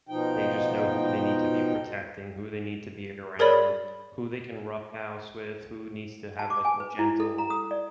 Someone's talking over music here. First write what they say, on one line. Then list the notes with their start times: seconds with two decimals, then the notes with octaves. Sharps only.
they just know who they need to be protecting, who they need to be around, who they can roughhouse with, who needs to have like a gentle
0.09 B2 F3 D#4 G5
3.39 G#4 A#4 C#5 D5 B5
6.39 A5
6.50 D6
6.65 G#5
6.80 B4
6.99 E4
7.20 A4
7.38 A#5
7.50 D#6
7.71 D5